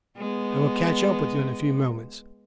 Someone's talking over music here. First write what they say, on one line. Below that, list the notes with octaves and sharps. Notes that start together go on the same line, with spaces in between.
I will catch up with you in a few moments.
G#3 B3